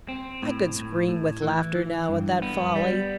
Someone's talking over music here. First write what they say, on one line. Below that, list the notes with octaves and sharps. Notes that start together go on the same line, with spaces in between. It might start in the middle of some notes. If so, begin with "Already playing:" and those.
I could scream with laughter now at that folly!
C4
A2
A2
A2
E3
E3
G2
B3
G3